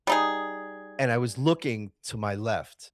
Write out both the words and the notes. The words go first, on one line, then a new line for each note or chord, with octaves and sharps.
and I was looking to my left
G3 D#4 G#4